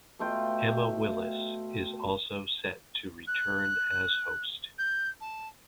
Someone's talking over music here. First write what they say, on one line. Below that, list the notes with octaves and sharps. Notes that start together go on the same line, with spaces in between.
Emma Willis is also set to return as host.
B2 A3 F4 G5
F#6
G6
A5